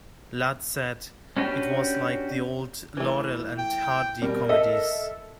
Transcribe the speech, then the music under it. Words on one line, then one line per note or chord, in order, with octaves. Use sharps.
Ladd said It was like the old Laurel and Hardy comedies.
C#4 D4 F#4 G4 B4
E3 A3
G5
B2 G3 A#4
A4 D#5 E5